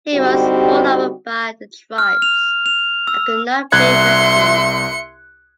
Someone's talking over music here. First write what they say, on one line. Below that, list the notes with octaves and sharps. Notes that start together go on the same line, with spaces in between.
He was rolled over by the tribes and could not be rescued.
D3 G3 C4 D#4 F#4 G4
F6
F7
F7
E6
C2 E5 C6 F#6 G#6 C#7